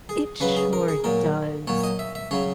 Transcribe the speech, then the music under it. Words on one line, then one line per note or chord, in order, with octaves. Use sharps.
It sure does.
G#4
C#3 F#3 B4
G#4
A#4
G#4
A#2 F#3 A#4
A#2 F#3 C#5
D#5
E5
E5
C#3 F#3 C#5